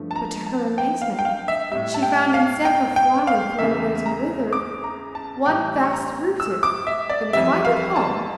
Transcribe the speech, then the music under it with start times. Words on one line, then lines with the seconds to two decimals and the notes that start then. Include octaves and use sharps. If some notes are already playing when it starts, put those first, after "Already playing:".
But to her amazement she found, instead of a flower thrown away to wither, one fast rooted and quite at home.
Already playing: G2 F3 A3
0.11 A5
0.16 A#5
0.46 A5
0.78 G5
1.02 F5
1.19 G5
1.25 F5
1.48 E5
1.71 A2 G3 E5
1.94 A5
2.03 G5
2.34 F5
2.65 G5
2.96 G5
3.27 F5
3.59 E2 C#3 E3 A3 E5
4.06 A#5
4.53 D6
4.84 A#5
5.15 A5
5.46 A2 E3 G3 G5
5.83 C#6
5.93 A#5
6.40 E6
6.63 D6
6.87 E5
7.10 D5
7.33 F2 E3 G3 E5
7.65 F5
7.96 A5